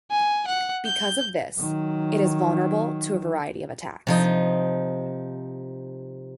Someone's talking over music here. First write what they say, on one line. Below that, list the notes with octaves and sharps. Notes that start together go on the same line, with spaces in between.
Because of this, it is vulnerable to a variety of attacks.
G#5
F#5
G6
D#3 F#3
C3 F3 D#4